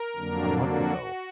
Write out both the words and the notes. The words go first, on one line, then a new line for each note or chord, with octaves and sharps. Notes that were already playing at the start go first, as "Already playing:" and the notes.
a month ago,
Already playing: A#4
F2 D3 F#3 A#3 D4
F#4